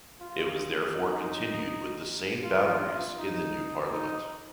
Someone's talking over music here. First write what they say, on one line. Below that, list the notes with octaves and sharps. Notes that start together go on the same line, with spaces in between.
It was therefore continued with the same boundaries in the new Parliament.
F4
D#4
F4
D#4
D#4